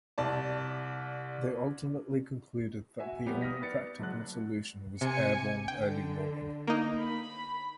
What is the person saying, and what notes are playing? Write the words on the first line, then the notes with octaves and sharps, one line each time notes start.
They ultimately concluded that the only practical solution was airborne early warning.
C2 D5 A5
F#4 E5 G#5
F3 G3 B3 G4 A#4
D#6 F6 A#6 B6
B4 D5 A6 C#7
F#1 F#3 F#6
C3 G#5 C#7
D3 G5
A#3 D#4
B5